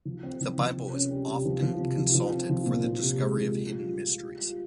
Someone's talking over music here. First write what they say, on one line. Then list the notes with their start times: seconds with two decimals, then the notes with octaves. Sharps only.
The Bible is often consulted for the discovery of hidden mysteries.
0.05 F3
0.23 C4
0.41 F3
0.58 F3
0.76 C3
0.93 C#4
1.10 G3
1.27 C3
1.45 F3
1.62 F3
1.80 C3
1.98 F3
2.15 F3
2.32 C4
2.50 F3
2.67 A#2
2.84 F3
3.02 C3
3.19 G#3
3.37 F3
3.54 G3
3.71 F4
3.89 F4
4.06 F4
4.24 G3
4.41 F4